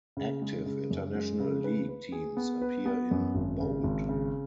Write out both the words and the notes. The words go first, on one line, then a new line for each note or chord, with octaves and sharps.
Active International League teams appear in bold.
C#3
G#3
C#3
F#2
G#3
C#3
B4
B4
G#4
B3
B4
B3
F#2
G#1
C#3
G#1
C#3